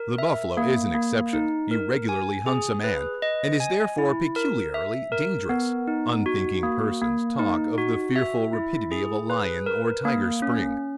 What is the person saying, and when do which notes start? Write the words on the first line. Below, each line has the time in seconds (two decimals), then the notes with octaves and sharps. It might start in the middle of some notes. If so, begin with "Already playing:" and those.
The buffalo is an exception; he regularly hunts a man, and is therefore peculiarly dangerous. Unthinking persons talk of the fearful rapidity of a lion or tiger's spring.
Already playing: A#4
0.18 E5
0.57 A#3
0.95 A#3
1.33 D#4
1.71 A#4
2.09 G#5
2.46 G#4
2.84 B4
3.22 D#5
3.60 G#5
3.98 E4
4.36 A#4
4.74 E5
5.12 A#4
5.49 B3
5.88 D#4
6.26 F#4
6.63 A#3
7.01 A#3
7.39 D#4
7.78 F#4
8.16 E5
8.53 E4
8.91 G#4
9.30 B4
9.66 A#4
10.05 A#3
10.42 C#4